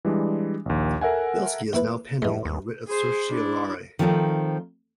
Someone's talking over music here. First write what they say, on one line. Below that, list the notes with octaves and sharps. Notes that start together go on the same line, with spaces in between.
"Bilski" is now pending on writ of certiorari.
E3 G3 G#3 D4
A#1 D#2
A4 A#4 E5 F#5 G#5
D#2 E4 B4
A2 E3 G#3
D#2
G#4 C5
D4 E4
D#3 F3 A3 C4 D4 D#4